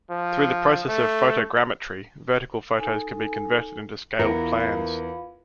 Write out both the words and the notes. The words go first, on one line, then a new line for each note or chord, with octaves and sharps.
Through the process of photogrammetry, vertical photos can be converted into scaled plans.
F3
A3
D#4 A4 G#5
E2 E3 F4 A#4 F5 B5 C#7